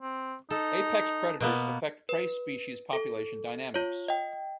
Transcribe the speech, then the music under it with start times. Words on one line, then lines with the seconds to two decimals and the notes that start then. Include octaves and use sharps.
Apex predators affect prey species' population dynamics.
0.01 C4
0.51 D#4 A4
1.40 B2 A#3 B3
2.09 B4
2.93 A4
3.74 F4 C#5
4.08 D#5 G5